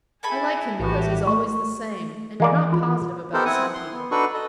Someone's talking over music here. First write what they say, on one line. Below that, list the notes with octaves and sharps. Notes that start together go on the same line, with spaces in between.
I like him because he's always the same, and you're not positive about some people.
E4 G#4 A4 G#5 B5
A#1 A2 E3 F#4 G4
A3 C#6
E3 G#3 A#3 D5
F4
B3 D#4 G4 A4 A#4 C5
C4 E4 F#5 G#5 D#6
C6
B3
D4 D#4 F#4 A4 B4 C#6
A4 D#5